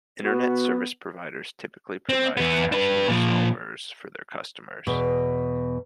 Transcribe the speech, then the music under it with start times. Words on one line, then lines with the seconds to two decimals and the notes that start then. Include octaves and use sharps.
Internet service providers typically provide caching resolvers for their customers.
0.24 B3 F#4
2.09 C4
2.37 E2 B3
2.72 D4 B4
3.08 A#2 F3
4.87 E2 B2